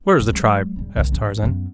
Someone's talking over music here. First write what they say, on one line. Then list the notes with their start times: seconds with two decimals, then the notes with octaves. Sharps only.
"Where is the tribe?" asked Tarzan.
0.20 E1 F#2
0.33 F#3 G#3
0.76 E1 G3
0.97 C2 D#3
1.12 A1 F3
1.43 F#2 B3